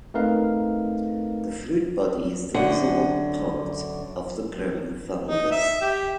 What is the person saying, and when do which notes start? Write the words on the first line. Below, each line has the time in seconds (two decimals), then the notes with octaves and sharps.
The fruit body is the visible part of the growing fungus.
0.14 A3 C4 D#4 A#4 B4 F5
2.54 F#2 D3 F#5
5.27 D#4
5.51 E5
5.81 G4